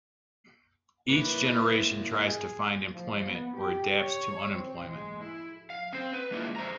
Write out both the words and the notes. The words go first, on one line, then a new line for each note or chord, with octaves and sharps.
Each generation tries to find employment or adapts to unemployment.
A#3 E4 B4
G#4
F3
B3
G4
C#5
C4
G#3
E4
F5
C4 C5
B4
G#3 A#3 D4 E4 F4
F2 C5 A#5